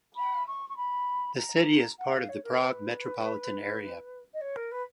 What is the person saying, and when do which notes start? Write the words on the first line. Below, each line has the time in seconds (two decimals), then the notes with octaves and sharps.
The city is part of the Prague metropolitan area.
0.16 B5
0.47 C#6
0.69 C#6
0.76 B5
1.37 A#5
1.98 F#5
2.14 F5
2.29 C#5
2.44 A#4
2.59 B4
4.33 D#5
4.41 C#5
4.56 A#4
4.71 B4